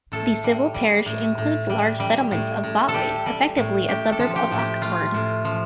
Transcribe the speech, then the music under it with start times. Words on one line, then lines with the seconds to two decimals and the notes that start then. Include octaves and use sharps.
The civil parish includes the large settlement of Botley, effectively a suburb of Oxford.
0.12 A2 A4
0.44 G3
0.74 G3
1.06 A2
1.38 A2
1.70 G3
2.00 G3
2.31 A2
2.64 A2
2.88 A4
2.94 G3 G4
3.26 G3
3.57 A2
3.88 A2 G4
4.12 A4
4.20 F3
4.36 G4
4.51 A2
4.59 G4
4.82 A3 F4
5.14 A2
5.45 F3